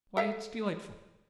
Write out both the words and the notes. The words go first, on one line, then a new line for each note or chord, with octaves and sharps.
Why, its delightful!'
A4 E5 F5